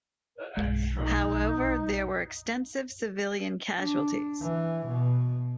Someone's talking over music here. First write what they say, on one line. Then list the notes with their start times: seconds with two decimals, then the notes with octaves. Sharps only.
However, there were extensive civilian casualties.
0.57 B1 G2 G#3
0.95 A#1 B2 D#4
3.79 D4
4.42 E3
4.87 B2